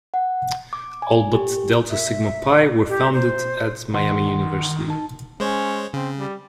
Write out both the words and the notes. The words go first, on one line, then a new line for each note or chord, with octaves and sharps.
All but Delta Sigma Pi were founded at Miami University.
F#5
D6
G#5
G4
E5
G4
C5
D#3 F#5 C6
D#4 A5
G#3 C#4 C5 C#5
C#3 C4
G3